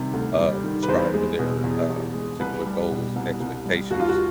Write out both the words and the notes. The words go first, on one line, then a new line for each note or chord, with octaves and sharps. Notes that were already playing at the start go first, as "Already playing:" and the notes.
um, strive for their, uh, particular goals and expectations.
Already playing: C3 D#3 G3
D2
G3
D#3
B4
E2 C5
G#3
B2
E2
E2
G#3
C2 B4
G3
B2
C2
C2
G3
D#2 F#4
F4
F#4